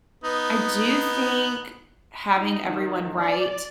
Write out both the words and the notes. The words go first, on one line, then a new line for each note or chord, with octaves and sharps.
I do think having everyone write
B3 D#4
D#4
D#3
D5